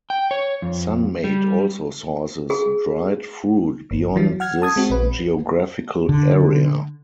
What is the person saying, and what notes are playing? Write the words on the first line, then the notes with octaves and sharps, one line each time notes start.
Sun-Maid also sources dried fruit beyond this geographical area.
G5
C#5
F2
G3
G#4
G1
E3 F#3
F#5 F6 G#6
A5 D#6 G#6
G#3 C4 F#4
A#1 B4
D3